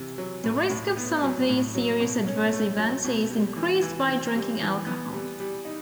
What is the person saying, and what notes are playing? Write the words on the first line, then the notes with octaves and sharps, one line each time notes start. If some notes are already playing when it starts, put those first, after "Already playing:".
The risk of some of these serious adverse events is increased by drinking alcohol.
Already playing: C3 E3
F#3
A2
A2
B3
F#3
A2
F#3
B2
C#4
A3
F#3
B2
G3
E3
E3
C4
G3
E3
B3
G3
G3
D#4